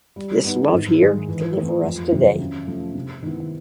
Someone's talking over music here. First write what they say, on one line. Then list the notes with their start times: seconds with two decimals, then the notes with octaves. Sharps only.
This love here deliver us today.
0.16 G3
0.45 B3 D#4
0.73 G#2
1.00 D#3 G#3
1.28 E3
1.55 A3
1.61 C4
1.84 F2
2.12 C3 D#3 F#3
2.39 C#3
2.67 F3 A3
2.95 C3
3.22 D#3 G#3 B3 E4